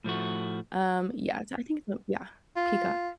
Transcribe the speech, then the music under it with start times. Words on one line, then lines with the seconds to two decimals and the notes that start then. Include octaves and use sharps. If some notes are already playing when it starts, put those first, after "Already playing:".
um, yeah, I think so, yeah, Peacock,
0.04 A2 F3 A3 F#4
2.56 F4